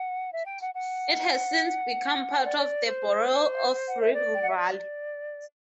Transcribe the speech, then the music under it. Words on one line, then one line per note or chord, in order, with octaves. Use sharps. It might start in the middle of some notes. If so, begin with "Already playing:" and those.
It has since become part of the borough of Ribble Valley.
Already playing: F#5
E5
G5
F#5
F#5
C5
D5
C5
F#5
E5
D5
G5
F#5
E5
D5